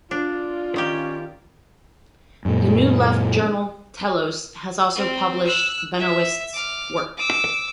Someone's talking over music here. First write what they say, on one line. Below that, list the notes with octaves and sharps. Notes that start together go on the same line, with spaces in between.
The New Left journal "Telos" has also published Benoist's work.
D4 F4 D5
D#3 C#4 G4
F#2 A#2
C4
E6 F#6
E5
D6 F6
D6 E6